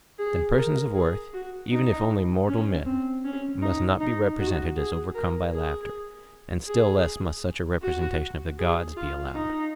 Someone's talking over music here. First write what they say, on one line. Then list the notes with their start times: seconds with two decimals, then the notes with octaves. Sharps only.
Then persons of worth, even if only mortal men, must not be represented as overcome by laughter, and still less must such a representation of the gods be allowed.
0.19 G#4
0.56 A#4
0.95 G#4
1.33 F#4
1.71 D#4
2.48 C#4
2.86 C4
3.24 C#4
3.62 D#4
4.00 D#4
4.39 F#4
4.77 G#4
5.15 A#4
5.52 G#4
6.67 G#4
7.82 F#4
8.58 G#4
8.97 F4
9.35 D#4